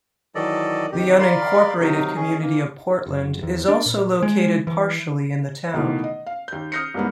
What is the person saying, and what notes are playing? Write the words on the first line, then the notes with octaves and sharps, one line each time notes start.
The unincorporated community of Portland is also located partially in the town.
D#3 E3 F#3 A4 D5 D#5
F2 D#3 G4
A#4 D5 F5 B5 C6
C3 F#3 D#4 A#4
D#3 C#4 G#4
E3 A#3
F#1
E2
D4
A#2
G#3
E3
B2 D#3 E3 A3 A#3
D#5
F5
D#2 G6
D#6 F6 G6 A#6 C7 C#7
C2 G#2 A#3 B3